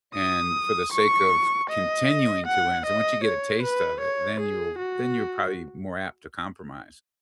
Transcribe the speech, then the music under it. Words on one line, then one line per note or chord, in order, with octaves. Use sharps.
and for the sake of continuing to win, so once you get a taste of it, then you'll then you're probably more apt to compromise.
D#6
C#6
D#5
F#5
D#5
C#5
B4
C#5
G#4
F#4